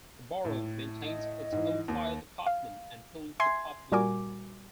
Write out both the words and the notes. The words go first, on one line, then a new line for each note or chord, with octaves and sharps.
The borough maintains its own fire department and police department.
A2
D#5
G#2 E3
D#2
F5
E5 G#5 C6 G#6 C7
A#2 G3 F#4 A#4 G#5 D6